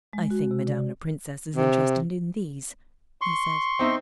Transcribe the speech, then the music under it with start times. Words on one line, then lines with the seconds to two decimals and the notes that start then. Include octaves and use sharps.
"I think madame la princesse is interested in these," he said.
0.13 G#3
0.30 F#4
0.51 C3
0.67 D5
1.56 C3
3.21 C6 C#6
3.79 C4 D#4 E5